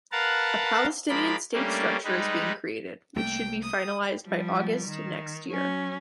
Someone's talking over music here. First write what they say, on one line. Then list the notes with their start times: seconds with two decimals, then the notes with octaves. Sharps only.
A Palestinian state structure is being created, which should be finalized by August next year.
0.12 A#4 B4 F5 F#5 A5
1.09 F3 G#3 A#4 D5 B5
1.53 G3 A3 A#3 C#4 D4
2.04 G3 G#3 D#4 B4
3.16 C2 A3 A#3 G5
3.63 D#6
4.26 F3 G3
4.86 D#3
5.50 F#3 C#4